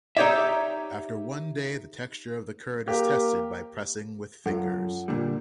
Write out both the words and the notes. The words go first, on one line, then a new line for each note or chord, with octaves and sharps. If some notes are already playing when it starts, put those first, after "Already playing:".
After one day the texture of the curd is tested by pressing with fingers.
D#4 G4 C#5 D5 E5
A#3 G4
F#2 F4 A4 F#5
A#2 D3 G3